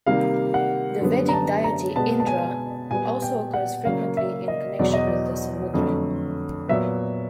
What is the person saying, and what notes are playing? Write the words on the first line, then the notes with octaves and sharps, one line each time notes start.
The Vedic deity Indra also occurs frequently in connection with the Samudra.
C3 D#3 G3 A#3 F5
F#5
F#2 D3 G3 B3
A#5
A5
A#5
B2 G#3 B3 A5
A5
G#5
A#2 G3 B3 G#5
G5
F#5
C#3 F#3 A#3 F5
E5
D#5
E2 B2 F#3 D5
D#5
D5
F2 D3 F#3 A3
A#2 F#3 B3 E5